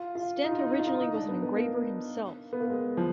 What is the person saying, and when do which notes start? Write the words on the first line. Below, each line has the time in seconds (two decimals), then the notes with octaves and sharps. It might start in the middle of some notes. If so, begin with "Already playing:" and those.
Stent originally was an engraver himself.
Already playing: F4
0.15 F4
0.44 D#4
0.51 F4
0.58 D#4
0.72 D#4
0.79 F4
0.87 D#4
1.01 D#4
1.14 D4
1.28 B3
1.42 B3
1.56 A#3
2.53 B3
2.60 A#3
2.70 G#3
2.97 F3